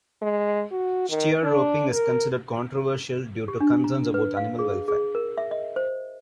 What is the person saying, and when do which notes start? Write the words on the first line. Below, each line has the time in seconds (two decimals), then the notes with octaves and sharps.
Steer roping is considered controversial due to concerns about animal welfare.
0.21 G#3
0.71 F#4
1.10 D#3
1.43 D4
1.92 A#4
3.48 G4
3.60 D4
3.84 A#5
4.14 B4
4.37 F5
4.59 G#4
4.88 G#4
5.15 A#4
5.38 E5
5.51 D#5
5.76 C5